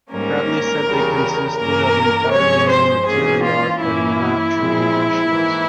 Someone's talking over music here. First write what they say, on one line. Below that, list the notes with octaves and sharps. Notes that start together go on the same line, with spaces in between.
Bradley said they consisted of entirely new material and were not truly re-shoots.
G#2 G3 A#3 C#4 A#4
E2 C#3 G3
G2 E3 A#3 C#4 A#4
G2 F3 G#3 C#4 C#5
C5
G#2 E3 A#3 C#4 G#4
F4
G2 E3 A#3 C#4 E4
A#2 F3 G#3 C4
G#2 E3 A#3